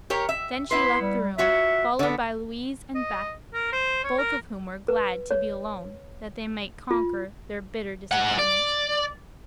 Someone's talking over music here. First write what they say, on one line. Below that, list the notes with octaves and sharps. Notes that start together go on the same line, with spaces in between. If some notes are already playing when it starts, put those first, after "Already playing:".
Then she left the room, followed by Louise and Beth, both of whom were glad to be alone that they might conquer their bitter disappointment.
G4 A#4 C#5
E5
B3 E4 B4 C6
G3
F4 F#4 C#5 E5
D3 B3
D#5
A#4
C5
C#5
A#4
B4
C#5
F4
G#2 F#5
D5